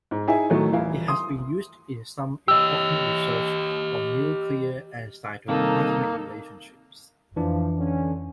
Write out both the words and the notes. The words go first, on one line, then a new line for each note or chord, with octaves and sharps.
It has been used in some important research on nuclear and cytoplasmic relationships.
G#2
D#4 E4 G#4 E5 G#5
A2 D#3 F#3 A3
D#1 E3 E4 F5
C6 D#6
G4 D#5 E6
G2 C3 D#3 A#3 D#4 A4
F2 E3 F3 D4
D3 C#4